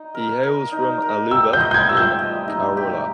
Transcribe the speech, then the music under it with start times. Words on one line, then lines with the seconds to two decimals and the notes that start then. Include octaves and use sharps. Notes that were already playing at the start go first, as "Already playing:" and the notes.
He hails from Aluva in Kerala.
Already playing: D#4
0.15 A#4
0.43 A#4
0.72 D#4
1.02 A#4
1.31 G4 E6
1.53 G6
1.60 D#5
1.71 G6
1.74 G#6
1.89 G4 E6
1.97 G6
2.19 D#5
2.48 D#4
2.77 G4